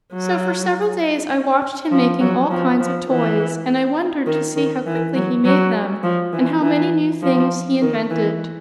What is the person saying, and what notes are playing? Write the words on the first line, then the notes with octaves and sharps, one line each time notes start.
So for several days I watched him making all kinds of toys, and I wondered to see how quickly he made them, and how many new things he invented.
F#3
F3
F#3
F3
F3
E3
D#3
D#3
E3
F#3
F#3
F3
E3
E3
F3
D#3
E3